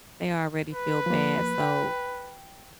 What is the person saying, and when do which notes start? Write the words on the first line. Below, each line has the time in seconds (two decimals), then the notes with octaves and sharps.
They already feel bad, so
0.72 B4
1.06 F3 A#3
1.61 G5